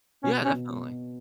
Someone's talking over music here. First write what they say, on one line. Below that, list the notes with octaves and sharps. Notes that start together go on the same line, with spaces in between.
Yeah, definitely.
B2 C#4
C#4
B2